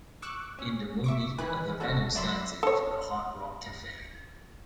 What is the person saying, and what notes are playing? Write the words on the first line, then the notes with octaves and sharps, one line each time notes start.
In the movie, the venue stands-in for the Hard Rock Café.
C#6 D6 E6 F#6
C#4
E5 C#6 D6
D#3 E3 B4 G#5 B5 F#6
C#4 F#4 A4
F#2 D5 E5 B5 C6 E6
A4 C#5